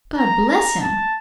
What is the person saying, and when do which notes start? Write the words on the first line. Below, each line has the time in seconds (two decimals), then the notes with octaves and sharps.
God bless him!
0.17 A#5
0.49 A#5
0.80 A5